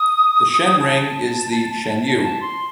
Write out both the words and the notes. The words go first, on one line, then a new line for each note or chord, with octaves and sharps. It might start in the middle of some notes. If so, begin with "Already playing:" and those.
The Shen ring is the 'shenu'.
Already playing: D#6
A5
A5
C6